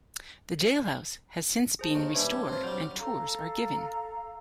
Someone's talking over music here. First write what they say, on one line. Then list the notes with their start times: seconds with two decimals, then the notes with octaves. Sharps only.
The jailhouse has since been restored and tours are given.
1.79 G#4 C5 A5
1.95 D#2 D#3
2.15 E3 G3 D4 C#5
2.48 C4 F4
2.63 F#3 G3 C5
2.97 A4 F5 A#5